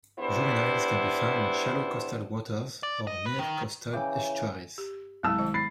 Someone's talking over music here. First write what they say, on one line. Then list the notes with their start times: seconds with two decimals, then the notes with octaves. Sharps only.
Juveniles can be found in shallow coastal waters or near coastal estuaries.
0.19 E2 B3 D4 E4 G4 C5
2.83 D5
3.07 D#5
3.26 B4
3.39 D#3
3.93 C#3 E3 G5 D6
4.78 G4
5.23 C2 F#3 G#3 A5 E6
5.38 D#3 D#5
5.54 B5 A6 C7